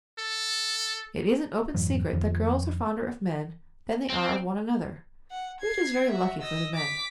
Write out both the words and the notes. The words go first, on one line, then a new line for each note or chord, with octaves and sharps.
It is an open secret that girls are fonder of men than they are of one another--which is very lucky for the men.
A4
F2 G#2 E3 F#3
F2 D#3 F3
C4
F#5
G#6 C7
F#4 E5
D#5 E6
D6 B6